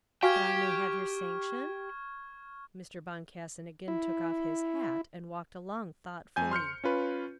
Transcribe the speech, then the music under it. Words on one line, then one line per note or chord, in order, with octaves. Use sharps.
"But I may have your sanction?" Mr. Boncassen again took off his hat and walked along thoughtfully.
F#4 G4 F5 G5 G#5 C#6 F6 G#6
E4
F2 G#5 G6
C6 F6 G6 C#7
C#4 F4 B4